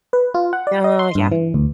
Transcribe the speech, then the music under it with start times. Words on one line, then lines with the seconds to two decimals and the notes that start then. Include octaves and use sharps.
Oh, yeah.
0.13 B4
0.34 F4
0.53 F#5
0.67 D5
0.84 D#5
0.99 C6
1.15 G2
1.32 E3
1.54 D2